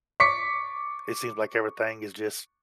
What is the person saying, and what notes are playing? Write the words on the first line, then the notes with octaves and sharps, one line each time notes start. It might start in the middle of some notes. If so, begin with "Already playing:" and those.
it seems like everything is just
C#6 D6 B6 C#7